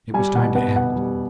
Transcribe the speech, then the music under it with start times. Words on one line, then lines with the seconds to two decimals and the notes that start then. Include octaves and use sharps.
It was time to act.
0.14 G3 G#5
0.35 B2 F#5
0.55 B3 F#5
0.75 B2 F#5
0.96 G3